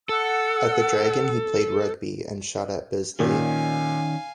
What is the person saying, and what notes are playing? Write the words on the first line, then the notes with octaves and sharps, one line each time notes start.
At the Dragon he played rugby, and shot at Bisley.
A4 F#5 E6
A#2 D#3 C#4 F5 G#5